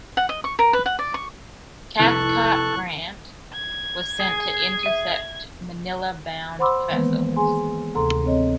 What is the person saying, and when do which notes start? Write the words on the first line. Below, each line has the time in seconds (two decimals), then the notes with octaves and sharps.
Cathcart Grant, was sent to intercept Manila bound vessels.
0.17 F#5
0.29 D#5
0.44 C#6
0.59 A#4
0.73 B4
0.86 F#5
0.99 D5
1.14 C#6
1.99 F1 C2 E4 A4 C#6 F#6
3.53 G#6
4.20 G#4
4.83 E5 D#7
6.59 C5 F#5 B5 C6 D6 E6
6.90 D#3 E3 G#3 A#3 B3 B4
7.36 G#4 G#5 C6
7.95 D2 C3 A4 A#5 C6
8.26 C4 C#5 D#5